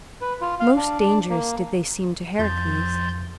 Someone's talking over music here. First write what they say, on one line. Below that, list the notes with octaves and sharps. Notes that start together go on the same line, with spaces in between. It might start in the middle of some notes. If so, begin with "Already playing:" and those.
Most dangerous did they seem to Heracles.
B4
F4
F5
D4
D4
A#3
F2 F3 C6 G6 A6